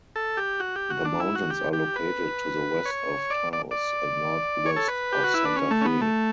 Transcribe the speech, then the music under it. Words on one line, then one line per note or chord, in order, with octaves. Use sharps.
The mountains are located to the west of Taos and northwest of Santa Fe.
A4
G4
F#4
G4
F#4
D4
E4
F#4
G4
G4
B4
C#5
D5
D5
D5
C#5
A4
B4
G4
F#4
E4
D4
C#4
A3
C#4
B3
A3